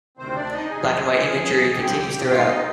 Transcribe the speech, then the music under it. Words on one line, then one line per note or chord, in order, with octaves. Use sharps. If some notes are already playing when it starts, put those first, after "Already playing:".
Black-and-white imagery continues throughout.
D2 C3 D#3 C4 C5
D4 D5
D#4 D#5
D2 C3 D#3 G#4 G#5
D2 D3 F3
D2 D3 F3 G4 G5
G#2 D#3 F4 F5
D#4 D#5